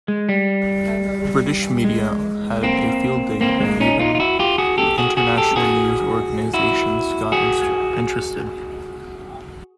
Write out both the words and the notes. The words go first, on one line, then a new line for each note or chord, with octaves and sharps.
British media had a field day and even international news organizations got interested.
G#3
G3
G#3
A#3 C4
A#3 C4
G#3 A#3
C#4 D#4
D#4 F4
F4
E4 F#4
F4 G4
F#4 G#4
G4 A4
F#4 G#4
F#4 G#4
G4 A4
F#4 G#4
E4 F#4
F#4 G#4